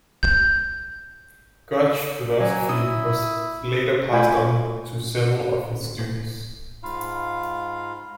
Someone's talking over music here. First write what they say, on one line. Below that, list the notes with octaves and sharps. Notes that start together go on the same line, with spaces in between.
Gotch's philosophy was later passed on to several of his students.
G6
F#3 G#5
E4 D#6
A3 F4 G5 G#5 B5
G#2 F4 F5 B5